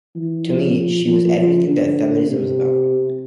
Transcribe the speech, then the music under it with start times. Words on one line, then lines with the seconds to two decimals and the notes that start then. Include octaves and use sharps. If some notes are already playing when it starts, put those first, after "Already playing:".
To me, she was everything that feminism's about.
0.15 E3
0.47 F3
1.06 F3
1.37 F3
1.68 D3
2.28 C3